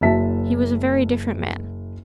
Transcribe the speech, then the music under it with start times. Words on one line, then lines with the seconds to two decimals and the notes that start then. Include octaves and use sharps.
He was a very different man.
0.01 F#1 F#3 E5 A5 B6